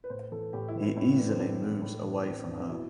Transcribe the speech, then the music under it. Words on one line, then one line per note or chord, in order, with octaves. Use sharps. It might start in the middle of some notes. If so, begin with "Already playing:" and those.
He easily moves away from her.
B4
A2 C5
E3 A4
A2 G4
E4
E3
E4
A2 E4
E3 D4
C4
A2 D4
E3
A2
E3
A2 C4
E3 D4
B2 E4